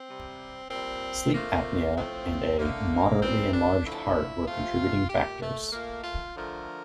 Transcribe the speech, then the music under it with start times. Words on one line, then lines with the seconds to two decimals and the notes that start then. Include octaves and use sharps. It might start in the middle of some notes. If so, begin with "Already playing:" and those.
Sleep apnea and a "moderately enlarged heart" were contributing factors.
Already playing: C4
0.09 C3 G3
0.70 A#2 G3 C4
1.33 A#2 F3 A3 A#3
1.96 A2 F3 A3 C4
2.59 D3 A3 A#3
3.22 C3 E3 G3 C4
3.53 D4
3.84 D3 F3 A3 E4
4.47 C3 F3 A3 F4
5.09 A#2 A3 G4
5.42 A3
5.72 A#2 A3 A#3
6.04 F4
6.36 D3 F3 A3 A#4